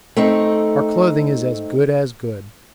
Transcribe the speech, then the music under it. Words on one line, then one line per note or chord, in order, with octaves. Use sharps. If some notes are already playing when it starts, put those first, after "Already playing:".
'Our clothing is as good as good.
A3 C4 D#4